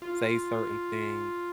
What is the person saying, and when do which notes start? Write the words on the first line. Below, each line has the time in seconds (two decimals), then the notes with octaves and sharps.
say certain things,
0.02 F4